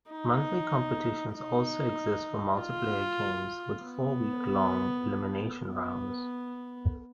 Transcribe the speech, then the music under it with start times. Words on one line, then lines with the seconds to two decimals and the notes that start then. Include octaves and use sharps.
Monthly competitions also exist for multiplayer games with four week-long elimination rounds.
0.11 D#4
1.35 D#4
2.59 F4
3.83 B3
5.70 B3